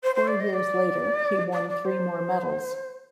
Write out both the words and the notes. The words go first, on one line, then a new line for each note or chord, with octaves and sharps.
Four years later he won three more medals.
C5
C5
D5
D#5
D5
D5
D5
C5